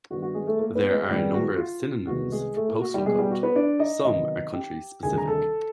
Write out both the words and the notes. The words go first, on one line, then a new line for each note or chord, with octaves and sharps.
There are a number of synonyms for "postal code"; some are country-specific.
G2 D#3 G3 B3 F#4
F#4
G#3 G#4
A3 A4
A#3 A#4
B3 B4
G#3 G#4
G#2 D#3 G3 G#3 B3 G4
F#4
F4
C2 C3 D#3 G#3 B3 F#4
G#3 G#4
A3 A4
A#3 A#4
F#4
G3 G4
B2 G3 G#3 B3 G#4
G3 G4
F#4
B3 B4
D4 D5
D#4 D#5
C3 D#3 F#3 B3 D#4 D#5
G4 G5
D2 C3 D#3 G3 G#4 G#5
A#5
A4 A5